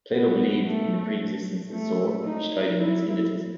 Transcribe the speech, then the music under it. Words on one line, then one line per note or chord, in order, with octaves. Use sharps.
Plato believed in the pre-existence of the soul, which tied in with his innatism.
B3
A3
A3
D#4
E4